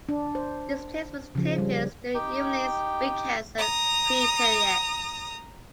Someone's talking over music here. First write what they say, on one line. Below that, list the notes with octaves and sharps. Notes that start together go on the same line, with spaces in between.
These placements take place during evenings, weekends and free periods.
D4
C5
C#3 F3
G3
D#4 G4 G5
A#5 D#6